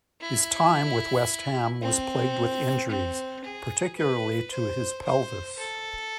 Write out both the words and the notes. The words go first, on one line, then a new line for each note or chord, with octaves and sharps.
His time with West Ham was plagued with injuries, particularly to his pelvis.
E4
C4
C4
G#4
B4
C5
C5
A4